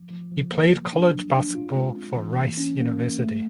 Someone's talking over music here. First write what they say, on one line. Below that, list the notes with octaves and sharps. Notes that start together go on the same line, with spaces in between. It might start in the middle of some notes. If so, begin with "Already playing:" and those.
He played college basketball for Rice University.
Already playing: F3
F3
F3
A#3
F#3
D4
F#3
D4
F4
G#3
C4
E3
A#3
C#4
A#3
A#3
A3